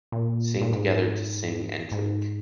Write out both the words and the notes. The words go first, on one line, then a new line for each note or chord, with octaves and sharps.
Sing together to sing and drink.
A#2
A#2
G#2
G#2